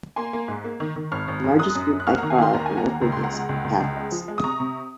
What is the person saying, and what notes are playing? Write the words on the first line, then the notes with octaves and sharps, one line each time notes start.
The largest group by far in Oak Ridges are Catholics.
A#3 G#5 C6
A#3
G#2
A#3
D#3
D#3
G#1 C#6 F6
G#1
F#2
F#2 D#6 F#6
F#2
F#2
F#6
A#3 C#6 F6
F#5 A#5
D#3
F5 G#5
D#3 C6
D#2 A#5
A#3 G#5
F#5 A#5
D#2
C#2 A#5
C#2 C6
F#5 A#5
G#3
C#2
C#2
C#2
G#3
F3
G#3
D#6
C3 A#5 C#6
C3